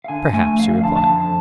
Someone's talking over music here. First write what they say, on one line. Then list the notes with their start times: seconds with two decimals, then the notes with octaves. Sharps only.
Perhaps, he replied.
0.04 F5
0.08 D3 G#5
0.33 A3 G#5
0.58 F2 F5
0.71 F5
0.84 D3 A5
0.96 A5
1.09 F2